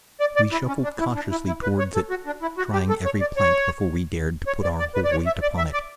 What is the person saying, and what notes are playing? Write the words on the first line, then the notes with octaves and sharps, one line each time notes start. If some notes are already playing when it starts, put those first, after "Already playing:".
We shuffled cautiously towards it, trying every plank before we dared to put our whole weight upon it.
D5
D5
E4
C#4
D4
E4
D4
E4
E4
B4
C#5
A4
F#4
D4
E4
F#4
G4
A4
C#5
D5
C#5
C#5
D5
D5
B4
D5
C#5
E5
D5
E5
D5